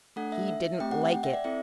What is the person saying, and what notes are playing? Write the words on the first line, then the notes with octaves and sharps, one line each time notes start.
He didn't LIKE it!
A3 D4 A4 F#5
E5
E5
A3 C4 G4 G5
F#5
F#5
G5
E5
D5
C4 E4 A4 E5